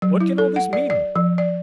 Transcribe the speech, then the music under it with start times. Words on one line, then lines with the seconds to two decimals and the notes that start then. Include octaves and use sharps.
"What can all this mean?"
0.02 F#3
0.20 E4
0.38 A4
0.56 F#5
0.73 D5
0.90 D5
1.15 F3
1.38 D5